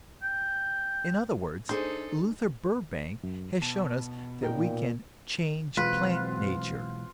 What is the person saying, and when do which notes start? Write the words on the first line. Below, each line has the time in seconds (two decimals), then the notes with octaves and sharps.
In other words, Luther Burbank has shown us that we can "change plant nature."
0.23 G5
1.69 D4 D#4 G#4 A4 C5
3.23 F#2
3.62 B2 A5
4.42 A#2 D#4 A#4 G5
5.77 B2 E3 F#3 G#3 C4 F4 B4